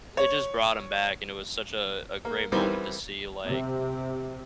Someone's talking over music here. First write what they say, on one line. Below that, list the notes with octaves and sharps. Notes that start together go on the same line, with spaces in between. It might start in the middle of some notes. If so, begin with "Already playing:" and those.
it just brought him back, and it was such a a great moment to see, like,
C#5
A#3
D#3 E3 G3 B3 C4
C3